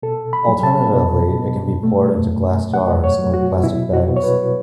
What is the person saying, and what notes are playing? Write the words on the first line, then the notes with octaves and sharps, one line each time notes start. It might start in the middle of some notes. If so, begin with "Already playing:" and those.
Alternatively it can be poured into glass jars or plastic bags.
B2 A4
B5
F#3
A5
B2
B2
A3
F#2
F#2 F#5
C#5
F#3
F#4
B2 E4
F#4
B2
C#5
B4